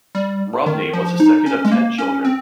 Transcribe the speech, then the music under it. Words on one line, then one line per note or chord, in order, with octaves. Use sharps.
Romney was the second of ten children.
G3
D#3
F3
D#4
C#4
G#3
A#3
C#4
C4